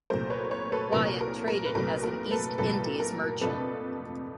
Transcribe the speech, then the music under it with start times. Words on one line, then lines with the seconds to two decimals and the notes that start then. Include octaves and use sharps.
Wyatt traded as an East Indies merchant.
0.10 C2 A#2 F#3 A3 A#4 C5
0.30 B4 C#5
0.51 B4 C#5
0.72 A4 B4
0.93 C2 A#2 F#3 A3 A#4
1.21 A#4
1.48 A#4
1.65 B4
1.75 C2 A#2 F#3 A3 A#4
2.03 A#4
2.31 A4 B4
2.58 C2 A#2 F#3 A3 A4 B4
3.00 A#4
3.41 F2 C3 F3 A3 D4 A4 B4